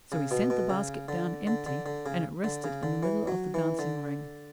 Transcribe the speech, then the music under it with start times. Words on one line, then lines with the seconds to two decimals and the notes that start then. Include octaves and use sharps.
So he sent the basket down empty, and it rested in the middle of the dancing ring.
0.12 C#3
0.31 B2
0.50 B2
0.70 C#3
1.08 D3
1.47 D3
1.66 D3
1.86 D3
2.06 C#3
2.44 D3
2.64 C#3
2.83 D3
3.03 E3
3.27 F#3
3.54 E3
3.79 D3